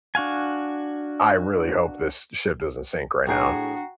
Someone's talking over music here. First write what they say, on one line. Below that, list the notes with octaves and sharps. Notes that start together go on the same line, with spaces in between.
"I really hope this ship doesn't sink right now."
D4 F#4 F5 G#5
A2 D4 F#4 G#4 G5 A#5 C7